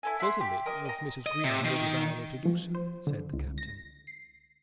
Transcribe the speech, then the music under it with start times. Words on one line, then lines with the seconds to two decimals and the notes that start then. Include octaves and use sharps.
"Certainly, if Mrs. Greenow will desire me to do so," said the Captain.
0.03 E4 A4 G#5
0.20 E5 F#5 B5 C6
0.41 G4
0.66 A#4 D#5
0.85 D#5 A#5
1.26 D#5
1.44 C3
1.65 D#3
2.45 F3
2.75 C5
3.07 D3
3.33 C#2
3.58 A#6
4.07 C7